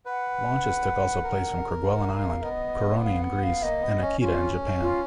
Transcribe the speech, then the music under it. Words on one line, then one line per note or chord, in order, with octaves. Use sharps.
Launches took also place from Kerguelen island, Koroni in Greece and Akita in Japan.
B4 F#5
A#4
F#5
F5
B3 D#5
F5
F#5
F5
A#3 D#5
B3
C#4
C#4 F4
F4